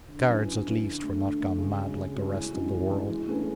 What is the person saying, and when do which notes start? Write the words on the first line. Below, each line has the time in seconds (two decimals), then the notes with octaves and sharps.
The guards, at least, were not gone mad like the rest of the world.
0.08 D3
0.26 F#3 C#4 E4 B4
0.46 D3
0.64 F#3 C#4 E4 B4
0.83 D3
1.02 A3 D4
1.20 D3
1.40 A3 D4
1.58 C#3
1.76 G#3 C#4 F#4
1.96 C#3
2.14 G#3 C#4 F#4
2.34 A2
2.52 E3 G#3 C#4 F#4
2.71 A2
2.90 E3 G#3 C#4 F#4
3.09 E3
3.27 A3 C#4 G#4 B4